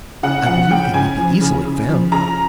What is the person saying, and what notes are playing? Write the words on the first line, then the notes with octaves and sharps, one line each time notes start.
I believe they may be easily found.'
C#3 F#5
F3 F#5
C#3 G5
C#3 G#5
F3
C#3
C#3
F3
C#3 A#5